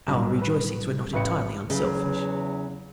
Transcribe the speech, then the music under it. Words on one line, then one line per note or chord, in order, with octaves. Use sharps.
Our rejoicings were not entirely unselfish.
B1 A2 F#3 G3
B4
A1 B4 F5 G5 F#6 C#7
E2 C#3 F#3